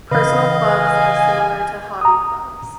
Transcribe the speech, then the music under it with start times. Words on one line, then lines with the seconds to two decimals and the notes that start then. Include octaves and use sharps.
Personal Clubs are similar to Hobby Clubs.
0.11 C#3 E3 B4 D#5 F5
0.67 G#5
2.01 A#5 D#6